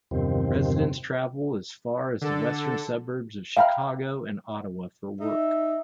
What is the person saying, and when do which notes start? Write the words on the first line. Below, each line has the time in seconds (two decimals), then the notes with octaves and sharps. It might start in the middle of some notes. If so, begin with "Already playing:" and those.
Residents travel as far as the western suburbs of Chicago and Ottawa for work.
0.11 E2 G2 C3 D#3 F3 C4
2.21 D3 A4
3.57 E5 F5 G5 A#5 B5 F6
5.20 D#4 E5